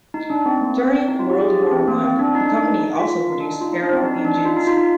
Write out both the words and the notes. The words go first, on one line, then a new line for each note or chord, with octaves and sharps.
During World War One the company also produced aero engines.
D#4
D4
C4
A#3
C4
C4
D#4
F4
G4
G#4
G4
D4
C4
A#3
C4
D4
D#4
D4
D#4
F4
D#4
D4
D#4
F4
D#4
D4
C4
D#4
D#4
D4
D#4
F4
D#4
F4
D#4